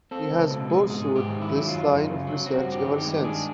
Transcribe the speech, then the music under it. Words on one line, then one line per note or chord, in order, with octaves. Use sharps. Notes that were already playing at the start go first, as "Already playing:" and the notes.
He has pursued this line of research ever since.
C4 A4
C#2
B2
G#3
G#2 G#4
G#2
G4
D#3
E4
F#3
F#2 F4
F#2
C#3
F#3
C4 F#4
G2
G4
D#3
G4
G#3
D4 G#4